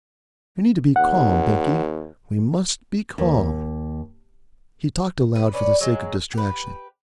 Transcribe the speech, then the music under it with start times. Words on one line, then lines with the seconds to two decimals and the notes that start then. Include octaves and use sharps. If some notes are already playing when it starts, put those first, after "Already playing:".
'We need to be calm, Binkie; we must be calm.' He talked aloud for the sake of distraction.
0.96 D#2 F#5
3.18 D#2
5.35 B4
5.53 C#4 B4 D5
5.81 F#3 G#3
6.33 G4 B4